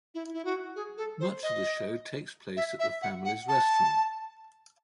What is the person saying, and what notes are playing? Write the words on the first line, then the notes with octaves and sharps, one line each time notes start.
Much of the show takes place at the family's restaurant.
E4
E4
F#4
G#4
A4
C5
D#5
E5
E5
F#5
F#5
A5